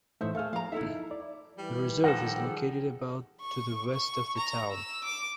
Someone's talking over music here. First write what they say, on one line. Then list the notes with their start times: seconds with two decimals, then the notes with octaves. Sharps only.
The reserve is located about to the west of the town.
0.21 A2 E3 A3 D#4 C5 E5
0.35 A3 G#4 A4 F5 F6
0.53 F3 F5 A#5
0.72 D#4 E4 A4 E5
1.11 D5
1.58 E3 G3
2.04 D#3 F3 A4 F#5 G5 A#6
2.43 G#4
3.41 C#6
3.94 C#6
4.38 A#5
4.72 E6
5.04 D6